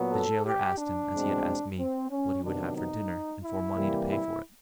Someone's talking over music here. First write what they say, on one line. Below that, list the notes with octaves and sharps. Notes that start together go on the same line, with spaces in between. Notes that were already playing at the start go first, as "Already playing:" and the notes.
The gaoler asked him, as he had asked me, what he would have for dinner, and for money to pay for it.
Already playing: A#2 F#3 B3
A4
G4
D4
E2 B2 G#3 C4
C4
C#4
C3 D#3 F#3 B3 D4
D#4
E4
C3 E3 G3 A#3
E4